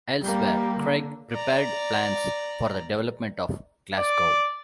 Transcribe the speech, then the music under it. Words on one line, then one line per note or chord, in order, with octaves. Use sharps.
Elsewhere, Craig prepared plans for the development of Glasgow.
G3 A#3
D3
D5 A#5
D5